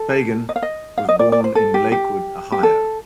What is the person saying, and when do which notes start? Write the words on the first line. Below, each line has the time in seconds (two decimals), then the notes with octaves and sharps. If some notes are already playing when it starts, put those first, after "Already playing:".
Feighan was born in Lakewood, Ohio.
Already playing: A4
0.49 D#5
0.56 F5
0.62 D#5
0.98 F5
1.09 D#5
1.19 D5
1.32 D5
1.44 C5
1.55 A4
1.74 G4
1.92 G4
2.52 G4
2.63 A4